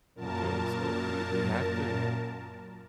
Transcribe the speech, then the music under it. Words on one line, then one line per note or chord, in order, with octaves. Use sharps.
Okay? So we we have to,
F#2 A#2 A#4 A5